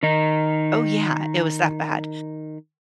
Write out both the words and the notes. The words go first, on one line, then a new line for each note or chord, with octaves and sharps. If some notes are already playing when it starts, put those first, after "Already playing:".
Oh, yeah. It was that bad.
D#3 D#4